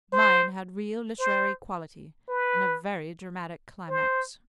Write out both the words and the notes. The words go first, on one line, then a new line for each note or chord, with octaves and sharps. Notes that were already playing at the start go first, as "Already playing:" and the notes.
"Mine had real literary quality, and a very dramatic climax."
C5
C5
B4
C5